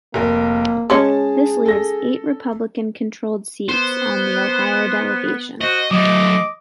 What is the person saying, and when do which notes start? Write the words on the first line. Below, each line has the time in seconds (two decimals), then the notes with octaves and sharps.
This leaves eight Republican-controlled seats in the Ohio delegation.
0.14 F1 A#3 A#4
0.90 G#3 C#4 G#4 C#5 A5
1.66 A4 A#6
3.69 B3 C5
5.61 F#4 C5 D#5
5.91 F#3 A3 D#5 D6